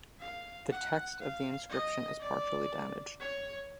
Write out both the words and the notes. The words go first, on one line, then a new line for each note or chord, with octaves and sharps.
The text of the inscription is partially damaged.
F5
F#5
F5
D#5
D5
C#5